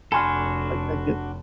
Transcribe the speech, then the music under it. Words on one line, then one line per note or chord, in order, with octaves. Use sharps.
like, I can
F1 D4 F#4 A4 G#5 B5 C6 F6